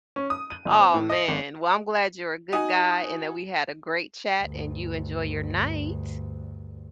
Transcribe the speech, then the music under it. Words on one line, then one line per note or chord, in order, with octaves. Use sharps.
Oh, man. Well, I'm glad you're a good guy and that we had a great chat, and you enjoy your night.
C#4
D#6
D#7
G1
C4
A2
D#5
G#1
D#4 F#4 G#5 D#6
D2 G2